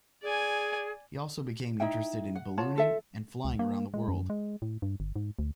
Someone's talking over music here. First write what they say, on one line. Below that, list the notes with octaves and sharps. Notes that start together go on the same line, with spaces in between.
He also became interested in ballooning, and flying around the world.
G#4 D5 G#5
D#4 E4 E5 G5
F#5
F4 C#5 F#5 A5
F4 A4 E5
C#2
A#3
G#3
F#2
G#3
A2
G2
G1
G#2
D2